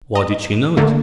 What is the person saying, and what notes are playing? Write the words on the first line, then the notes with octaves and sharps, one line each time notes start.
Why did she know it?
D#5
D3 A3 A#3